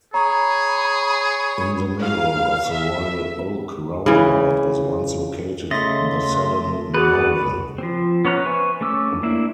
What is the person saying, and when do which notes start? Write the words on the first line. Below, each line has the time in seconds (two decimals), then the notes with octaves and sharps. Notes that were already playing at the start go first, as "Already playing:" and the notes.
In the middle of the Royal Oak Roundabout was once located the Seddon Memorial.
0.14 G#4 C#5 A#5 B5
2.00 F5
2.72 E5
4.06 C#3 E3
5.71 C#3 A3 D#5 E5 C6 A6 A#6
6.94 F#4 G#4 B4 D5
7.78 F3 C4
8.25 B3 C#4 C#5 A#5 F#6
8.45 B4 C5 E5 G#5 C#6
8.81 A3 C#4 D6 E6
9.23 A#3 D4 E4 E5